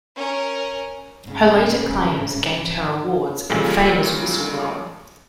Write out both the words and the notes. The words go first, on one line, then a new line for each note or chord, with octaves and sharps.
Her later claims gained her awards and fame as a whistleblower.
C#4 A#4
G#2 C#3
A#2 C#3 G3 G#3 A4